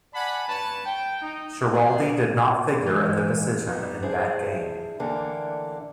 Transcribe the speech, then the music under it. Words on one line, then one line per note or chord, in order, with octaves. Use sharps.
Schiraldi did not figure in the decision in that game.
D5 F#5 G#5 A5 B5
G2 B4 C#5 A5
G5
D#4
F3 B3 F4 G#4 C5 D5
E3 G#3
F#3 G3 B3 D#4
D4 E4 G#4 C5
A2 D3 E3 A#3 D4 A4